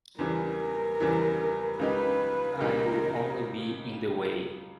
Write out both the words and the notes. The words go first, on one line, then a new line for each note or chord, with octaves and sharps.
I'll only be in the way.
E2 C#3 E3 G3 A#4
E2 C#3 E3 G3
C#2 C#3 G#3 D#4 G4 B4
C#2 C#3 G#3 D#4 G4 A#4